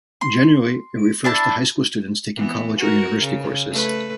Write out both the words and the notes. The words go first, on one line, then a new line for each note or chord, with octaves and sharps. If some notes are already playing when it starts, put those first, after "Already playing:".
Generally, it refers to high school students taking college or university courses.
C6
D4 E4 A5
E3 B3
F#4 A#4
C#3
A3 B4